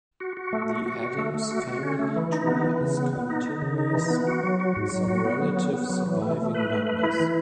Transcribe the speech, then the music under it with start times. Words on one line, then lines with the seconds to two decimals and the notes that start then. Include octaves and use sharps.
The Adams family tree is continuous in some relative surviving members.
0.20 F#4
0.37 F#4
0.53 A3
0.70 F#4
0.86 F#4
1.01 F#4
1.18 A3
1.34 A3
1.51 F#4
1.67 F#4
1.83 C#4
1.99 A3
2.16 E3
2.32 D#4
2.48 B3
2.64 E3
2.81 C#3
2.97 B3
3.13 B3
3.30 D#4
3.46 D#4
3.62 C#3
3.78 D#4
3.95 E3
4.10 B3
4.27 F#4
4.43 F#3
4.60 F#4
4.76 G#2
4.92 F#3
5.08 F#4
5.25 B3
5.40 F#3
5.57 B3
5.74 B3
5.89 F#3
6.06 E3
6.22 A3
6.38 A3
6.54 B4
6.70 A3
6.87 B4
7.03 E4
7.20 E3